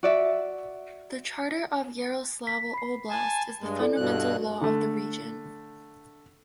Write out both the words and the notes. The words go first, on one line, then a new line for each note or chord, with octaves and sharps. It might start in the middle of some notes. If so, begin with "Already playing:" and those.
The Charter of Yaroslavl Oblast is the fundamental law of the region.
F#4 D5 E5
B6
B5 C7
G#5 A5
G2 G#3
E4 A4 D5
G2 B2 F#6
D3 A3